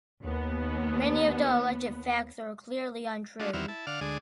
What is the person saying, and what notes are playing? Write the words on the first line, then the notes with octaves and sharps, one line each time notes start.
Many of the alleged facts are clearly untrue.
D#2 B3
G#3 A3 D4 F4 F#4
E2 D#3 C4 E4 F#4 F6
E4 A5
D3 D5 F5 F#5 F6
D2 D3 G#3 G#4 D5